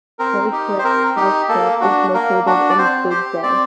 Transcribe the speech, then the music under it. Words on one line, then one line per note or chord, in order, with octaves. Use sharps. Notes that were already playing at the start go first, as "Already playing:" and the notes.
Bay Cliff Health Camp is located in Big Bay.
C4 A#4
D#4 G4
C5
C4 A#4
D#4 G4
A#3 A4
D4 F#4
A#3 A#4
D4 F#4
D5
C4 C5
G4 C5
C4 D5